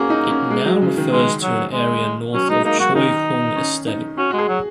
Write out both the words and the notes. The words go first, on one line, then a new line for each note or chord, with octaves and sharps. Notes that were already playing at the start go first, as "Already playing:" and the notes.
It now refers to an area north of Choi Hung Estate.
Already playing: A#3 C#4 F#4 G#4
D#4
C#4
G#3
F#3
C#3
D#3
G#3
F#3
G#3
F#3 C#4
G#3 D#4
A#3 D#4
F#3 F#4
D#3 D#4
C#4
D#4
C#4 F#4
G#3 F#4
G#4
F#3